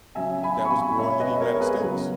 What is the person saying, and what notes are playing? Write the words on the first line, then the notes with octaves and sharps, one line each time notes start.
that was brewing in the United States.
C#3 F#3 C#4 E5 G#5
G#5 B5
C#6
G#5 B5
C#5 E5
B4 D#5
A#4 C#5
G#4 B4
C#3 F#3 B3